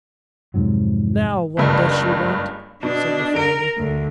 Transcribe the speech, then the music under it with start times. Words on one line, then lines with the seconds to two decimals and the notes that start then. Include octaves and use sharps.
"Now, what does she want?" said the flounder.
0.54 F2 G#2 C3 F#3
1.57 F#1 C#2 G2
2.83 B2 D4
3.36 A#4 D7
3.77 D2